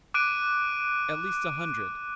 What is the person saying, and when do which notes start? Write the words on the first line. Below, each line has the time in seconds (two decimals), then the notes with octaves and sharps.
"At least a hundred."
0.14 D6 F#6 D7 D#7